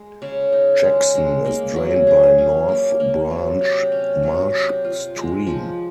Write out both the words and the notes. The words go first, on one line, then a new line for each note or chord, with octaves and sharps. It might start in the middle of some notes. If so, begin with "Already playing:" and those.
Jackson is drained by North Branch Marsh Stream.
Already playing: G#3
C#3
D#4
G#3
G#3
A#3
F#3
G#4
C#4
A#3
A#3
F#3
C3
C#4
F#3
C3
F4
G#3
F3